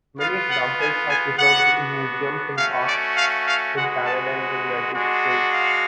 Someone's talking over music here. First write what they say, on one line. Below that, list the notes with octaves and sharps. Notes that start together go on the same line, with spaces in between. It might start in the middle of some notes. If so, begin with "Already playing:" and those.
Many examples are preserved in museums and parks in Canada and the United States.
B3 F4 F5
F#5
G#5
G#5
B3 D4 F#4 F#5
A3 C#4 F#4 F5
D5
F5
F5
G#3 B3 F#4 F#5
A5
G#3 D4 F#4
F5